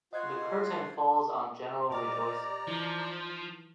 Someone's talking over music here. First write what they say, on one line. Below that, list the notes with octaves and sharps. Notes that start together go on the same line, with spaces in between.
The curtain falls on general rejoicing.
F4 F#4 C5 D#5 F#6 G#6
A#2 G4 C5 D5 D#5 A#5 D6 F6
E3 F3 D#4